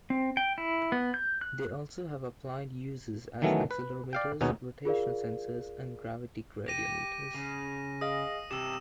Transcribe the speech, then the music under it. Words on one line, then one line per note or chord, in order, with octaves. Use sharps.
They also have applied uses as accelerometers, rotation sensors, and gravity gradiometers.
C4
G5
E4
B3
G6
F#6
D#3 E3 F#3 A3 B3 C#4
B4
D5 F5 G5
D#2 B2 B3 C#4 D#4 G#4
F4 G#4 A#4 D5 F5
G4 A#6 D#7
C#3
G#4 D#5 F5 D#6
C3 D4 G4 E6 E7